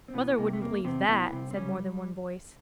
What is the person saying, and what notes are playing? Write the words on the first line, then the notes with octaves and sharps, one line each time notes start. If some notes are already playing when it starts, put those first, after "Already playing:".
'Mother wouldn't believe THAT,' said more than one voice.
C4
B2 E3 B3
C3 A#3
A3
E2 A#3
E2 C3 C4
B2 E3 B3
C2 C3 C4
C4
C#3 G3 C#4